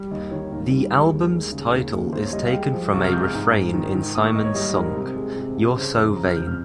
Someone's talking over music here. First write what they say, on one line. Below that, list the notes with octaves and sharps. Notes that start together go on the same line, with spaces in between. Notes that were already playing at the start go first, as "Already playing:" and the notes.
The album's title is taken from a refrain in Simon's song You're So Vain.
Already playing: G3
D#2 D#5
D#3 C#5
D#2 A#4
G3
G#3
D#2
G#3
C#3
D#2
A#3
D#2 C5
C#5
G3 D#5
F5
G#3 G5
F3
C2 C#6
F6
G#3 G6
F6
G#2
G#2
D#3
D#3
A#3 D#6
C#6
G#2 D#5
C#5
G3 D#5
G#2 A#4
C3
G#3
C3
C2
C#3 C5
F2
F2 A#5
F6
F2 G6
F6